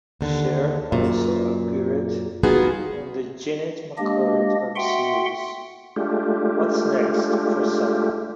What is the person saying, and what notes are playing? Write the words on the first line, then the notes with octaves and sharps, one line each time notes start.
Scheer also appeared on the Jennette McCurdy web series What's Next for Sarah?
D#2 D3
F#2 A#2
G3 B3 D#4 F4 F#4 G#4
G#3 A#3 D4 G4 D#5
F#4 E5 F#5 G5 C6
G#3 A3 D4 F4 G4